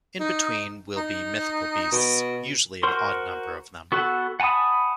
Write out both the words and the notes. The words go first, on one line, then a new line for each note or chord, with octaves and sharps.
In between will be mythical beasts, usually an odd number of them.
D#4
D#4
B2
F#4 A#4 C5 C6
B3 F#4 A4 F#5
F#5 G#5 A5 B5 D#6